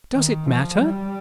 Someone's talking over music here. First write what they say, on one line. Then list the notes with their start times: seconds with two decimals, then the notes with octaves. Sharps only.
"Does it matter?"
0.15 D#3
0.46 F3
0.77 G3